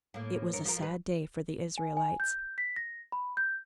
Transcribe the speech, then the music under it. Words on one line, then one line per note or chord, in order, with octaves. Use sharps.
It was a sad day for the Israelites.
A2 A#3
G2 A#4 C#5
F3 F4 A#4
G3 B4
G#5
G#5
G6
B6
A#6
B5
G6